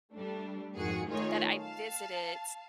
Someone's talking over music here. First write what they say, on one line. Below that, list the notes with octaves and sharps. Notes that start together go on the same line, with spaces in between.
that I visited
G3 A3 D4
F2 G#2 D#3 F#4 G#4 C#7
D#3 A3 D#4 F4 G#4 C#5
F5 A5